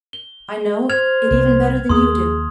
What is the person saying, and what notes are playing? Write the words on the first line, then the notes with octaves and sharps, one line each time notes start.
I know it even better than you do.
G7
G#3
C5 F6 G#6 F7
C2
D#2 A#3 G#4 C6 D#6